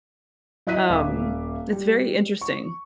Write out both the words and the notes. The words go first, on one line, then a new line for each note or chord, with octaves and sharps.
Um, it's very interesting.
F#3 E4 D#5 F#6 B6 D#7
D#1 E5 F5 D6
G3
C#6